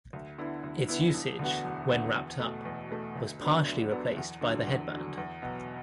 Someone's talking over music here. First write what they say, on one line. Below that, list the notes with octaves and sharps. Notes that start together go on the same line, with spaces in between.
Its usage, when wrapped up, was partially replaced by the headband.
D2
D3 B3 E4
D2
D3 B3 E4
E1
D2 D3 B3 F#4
E1
D2 D3 B3 F#4
E2
B2 A3
E2
B2 A3
D2
D3 F#3 B3 D4
D2
D3 F#3 B3 D4
E2
D3 F#3
E2
D3 F#3
E2
B2 F#3 B3